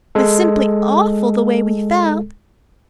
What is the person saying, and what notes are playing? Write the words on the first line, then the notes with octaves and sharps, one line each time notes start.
It was simply awful the way we felt.
G#3 A4